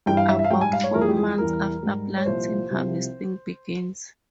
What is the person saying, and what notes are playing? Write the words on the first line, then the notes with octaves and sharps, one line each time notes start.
About four months after planting, harvesting begins.
G2 E3 G3 G5
F5
E5
E5
F5
G#2 G3 G5
G#5
F5
C#5
F2 E3 G3 A#4
G#4
G4
G#4
E2 E3 G3 A#4
G#2 G3
C#5
C2 A#2 F3 C5
C2 C3 F3